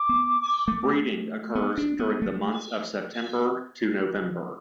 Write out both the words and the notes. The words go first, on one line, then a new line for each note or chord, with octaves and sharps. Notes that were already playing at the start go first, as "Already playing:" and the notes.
Breeding occurs during the months of September to November.
Already playing: D6
B3
A3
B3
D4
B3
A3